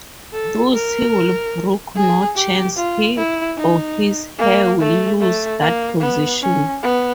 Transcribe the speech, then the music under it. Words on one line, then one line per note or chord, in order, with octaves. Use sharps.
Thus, he will brook no chance he or his heir will lose that position.
A4
A#4
G#4
G4
F4
E4
D#4
A#3
A3
A3
A#3
B3
C#4
B3